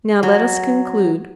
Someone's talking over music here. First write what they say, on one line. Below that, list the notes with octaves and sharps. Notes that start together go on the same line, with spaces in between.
Now let us conclude.
F#3